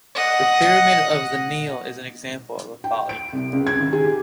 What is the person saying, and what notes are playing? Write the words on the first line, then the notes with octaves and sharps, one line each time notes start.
The Pyramid of The Neale is an example of a folly.
D#5 F#5
G5
D7
C2
C#2
G#6
D#3
G#4
G4